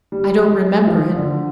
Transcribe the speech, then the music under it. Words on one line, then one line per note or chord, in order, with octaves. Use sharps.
I don't remember it.
G3
F3
D3